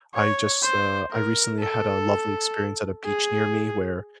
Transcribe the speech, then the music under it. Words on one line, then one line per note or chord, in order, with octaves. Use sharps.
I just, uh, I recently had a lovely experience at a beach near me where
C#5
C5
A#4
A4
G#4